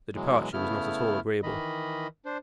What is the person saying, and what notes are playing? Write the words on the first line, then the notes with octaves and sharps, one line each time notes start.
The departure was not at all agreeable.
B2 E3 F#3 G#3
C#3 A3 B3 E4 F6
D#3 E3 D#5 B5
D4 C5